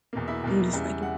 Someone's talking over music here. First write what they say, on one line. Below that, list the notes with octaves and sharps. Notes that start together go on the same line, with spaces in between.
I'm just like it
E2 B2 A#3
E4 E5
E2 B2 A#3
E2 C#3 G3
F#5